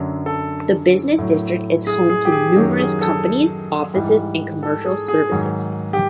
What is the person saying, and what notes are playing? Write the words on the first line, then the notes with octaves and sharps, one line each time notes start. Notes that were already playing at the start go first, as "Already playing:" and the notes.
The business district is home to numerous companies, offices, and commercial services.
Already playing: F#2 D3 F#3
A4
A2 F#3
G#4
G#4
G4
G#4
F#2 D#3 F#3 G4
G#4
A4
G#2 E3 G3
A4
G#4
G#4
G#2 D#3 F#3
G4